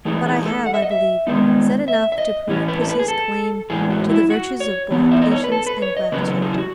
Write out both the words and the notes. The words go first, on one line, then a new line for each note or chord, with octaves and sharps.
But I have, I believe, said enough to prove pussy's claim to the virtues of both patience and gratitude.
E3 A3 D#4 G#4
G#4
A4
F#5
E5
D#5
E5
D#3 G#3 B3 D#4
E5
E5
D#5
A2 E3 A3 C#4
B4
A4
B4
G#4
A4
A2 E3 G#3 G#4
F#4
E4
F#4
C#5
E3 B3 D#4
E5
D#5
C#5
B4
A4
B4
C#5
D#5
C#3 F#3 C#4 B4
A4
G#4
E4
F#4